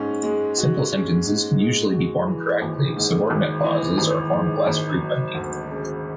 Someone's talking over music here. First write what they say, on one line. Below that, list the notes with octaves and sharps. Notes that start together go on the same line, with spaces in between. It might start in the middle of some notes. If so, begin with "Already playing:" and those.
Simple sentences can usually be formed correctly, subordinate clauses are formed less frequently.
Already playing: G#2 C#4
G#3
F#4
C#4
G#2
G#3
F#4
E3
G#1
G#2
G#1
E3
G#1
G#2
G#1
F#3
D2
C#3